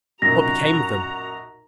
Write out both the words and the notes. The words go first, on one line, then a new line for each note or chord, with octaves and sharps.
What became of them?
B1 F#2 A#2 F#4 A#5 A#6